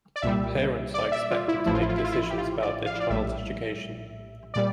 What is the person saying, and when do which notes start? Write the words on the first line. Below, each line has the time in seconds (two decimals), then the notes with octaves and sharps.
Parents are expected to make decisions about their child's education.
0.16 D5
0.22 C2 A#2 G3 E5
0.94 D5
1.12 E5
1.31 F4
1.48 E4
1.66 A1 A2 F3 E4
1.74 F4
1.82 E4
1.89 F4
1.97 E4
2.04 F4
2.12 E4
2.30 G4
2.38 F4
2.62 D5
2.86 F5
3.00 D5
3.10 A#1 A2 G3 E5
4.54 A#2 G3 D5